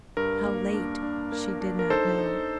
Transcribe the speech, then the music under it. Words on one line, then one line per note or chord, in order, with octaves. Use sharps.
How late she did not know.
G2 A#4
A#3
D4
D4
A#3
D4
A#4
D#4 A4 C5
D#4